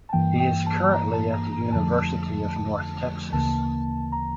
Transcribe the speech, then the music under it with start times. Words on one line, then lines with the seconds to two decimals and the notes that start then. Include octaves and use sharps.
He is currently at the University of North Texas.
0.09 A5
0.13 G2 E3 A#3 G5
0.40 G5
0.66 A5
0.93 A#5
1.13 A5
1.33 A#5
1.53 A#5
1.72 F2 D3 F3 A3 A5
3.33 D2 C#3 E3 A#3 A5
4.12 A#5